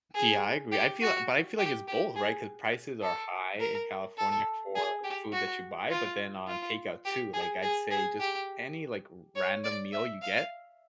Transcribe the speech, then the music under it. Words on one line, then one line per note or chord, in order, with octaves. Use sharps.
De I yeah, I agree, I feel a but, I feel like it's both, right, 'cause prices are high in California for food that you buy, but then on takeout too, like, I'd say just any, like, r random meal you get,
G#4
G4
F#4
G4
G4
G#4
A4
A#4
A4
G#4
G4
F#4
F4
F4
G4
G#4
G#4
G#4
G4
C#5
D5
E5
F5